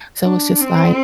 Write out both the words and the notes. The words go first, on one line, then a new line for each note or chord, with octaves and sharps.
So it's just like,
D4
C4